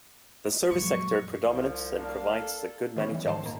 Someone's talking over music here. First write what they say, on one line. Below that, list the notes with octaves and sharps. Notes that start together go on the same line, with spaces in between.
The service sector predominates and provides a good many jobs.
F#2 A#2 F3 F#3 G#3 B4 C#6
C2 F3
A#3 D4 F5
A4
D#3 B3 C#4
E3 G3
G#2 D#3 C5 A5 C6 E7
A#2 A#3